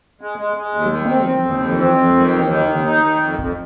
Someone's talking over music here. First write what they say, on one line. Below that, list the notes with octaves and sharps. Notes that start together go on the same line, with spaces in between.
The following information is from Howat.
G#3
G#3
G#3
D#2
D#3
C4
C4
D#2
F2
C4
F2
D#3
D#2
D#3
D#2
D#4
D#3
F2
F2